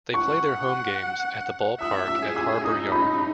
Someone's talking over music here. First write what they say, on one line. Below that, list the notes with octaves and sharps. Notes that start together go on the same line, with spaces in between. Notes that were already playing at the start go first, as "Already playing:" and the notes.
They play their home games at The Ballpark at Harbor Yard.
F#5 C#6
E5 D#6
E6
G#4
E6
D#4 D#6
B5